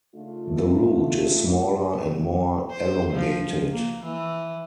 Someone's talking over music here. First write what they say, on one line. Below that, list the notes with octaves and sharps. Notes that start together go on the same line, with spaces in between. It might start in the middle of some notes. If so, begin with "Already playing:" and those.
The root is smaller and more elongated.
C#3 A3 D4 D#4 F4
C5
F3
A#3
E3